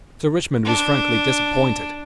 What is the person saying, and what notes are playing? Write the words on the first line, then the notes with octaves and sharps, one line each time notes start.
Sir Richmond was frankly disappointed.
D4